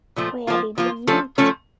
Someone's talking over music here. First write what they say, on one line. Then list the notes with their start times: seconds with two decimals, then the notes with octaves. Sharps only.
Where did you meet?
0.16 A#2 F3 A3
0.47 F3 A#3 F4
0.78 F3 A#3 F4
1.07 F3 A3 C#4 A4
1.38 F3 A3 C#4 A4